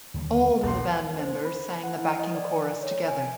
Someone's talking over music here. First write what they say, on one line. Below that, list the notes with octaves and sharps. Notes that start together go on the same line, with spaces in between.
All of the band members sang the backing chorus together.
D#2 D3 G3
D#1 A#1 F#5 C6
C5
B5
F#5
E4
D#5
D5
C#5
G#5